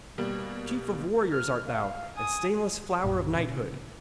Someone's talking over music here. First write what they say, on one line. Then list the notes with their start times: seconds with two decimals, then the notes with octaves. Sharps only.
Chief of warriors art thou, and stainless flower of knighthood!'
0.18 B2 G3 A#3
1.32 F6
1.67 F5
2.16 G#5 D#6
3.04 A#1 F#2 A#2
3.34 A#2 C#3